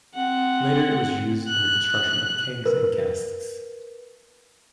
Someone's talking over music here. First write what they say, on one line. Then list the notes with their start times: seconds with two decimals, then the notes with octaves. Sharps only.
Later it was used in the construction of kegs and casks.
0.15 C4 F#5
1.48 F#6
2.66 A#4 B4